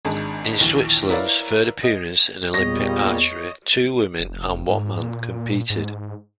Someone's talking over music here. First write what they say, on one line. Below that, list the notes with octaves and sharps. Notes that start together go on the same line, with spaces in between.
In Switzerland's third appearance in Olympic archery, two women and one man competed.
G#1 G#2 D4 G#4 A5
A#1 D#2 E3
E4 A#4 B4 C#5 D5 F5
D#5
E2 A#2 G3 C#5 D#5 D#6 A#6
F1
G#2
A#2
G#2